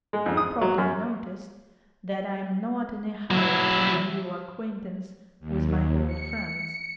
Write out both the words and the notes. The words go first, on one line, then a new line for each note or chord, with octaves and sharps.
You probably notice that I am not in a hurry to renew acquaintance with my old friends.
G#3
F2
D#6
F#3
F#2
F#3 E4
D#2
C#7